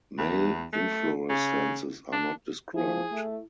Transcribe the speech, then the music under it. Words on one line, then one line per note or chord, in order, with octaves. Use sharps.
Male inflorescences are not described.
E2
A3
C#3
D4
F3 E4 G#4
A3